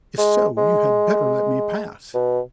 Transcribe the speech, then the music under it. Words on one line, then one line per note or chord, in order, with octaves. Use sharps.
"If so, you had better let me pass."
G#3
G#3
B2